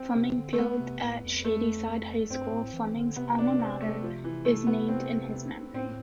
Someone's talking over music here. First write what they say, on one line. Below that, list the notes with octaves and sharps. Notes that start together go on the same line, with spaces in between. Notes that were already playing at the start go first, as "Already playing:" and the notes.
Fleming Field at Shadyside High School, Fleming's alma mater, is named in his memory.
Already playing: C4
C3
D3
A3
B3
C3
A2
F2
A3
G2 C4
A2
E3
D3
C3 B3
D4
C4
A3
F3
E3
A3
B3
C4
A2 C4